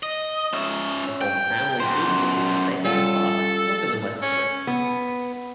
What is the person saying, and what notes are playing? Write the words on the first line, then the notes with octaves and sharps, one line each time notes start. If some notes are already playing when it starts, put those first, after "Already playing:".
The former family seat was Stapleford Park, also in Leicestershire.
D#5
C#4 E5
G5
F#2 C5
G3 C#4 F4 A4
C#4
B3